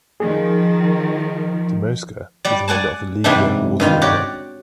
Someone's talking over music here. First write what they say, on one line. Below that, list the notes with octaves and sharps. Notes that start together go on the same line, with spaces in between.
Dmowska is a member of the Legia Warsaw Club.
D#3 F3 G#4
G3 D5
D5 F#5 G#5 A5
G#2 C3 E3 G3 D4
G2 D#3 F4
F#4 G4 C#5 D5